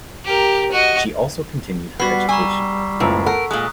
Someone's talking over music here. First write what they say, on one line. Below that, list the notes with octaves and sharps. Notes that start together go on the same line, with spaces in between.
She also continued her education.
G4 A#4
F#4 D#5
G3 B3 F#4 B6 C7
G#5 A#5 C#6 E6
F#1 C#2 A2
A4 A#4 F#5
A#2 G#3 D#6 F#6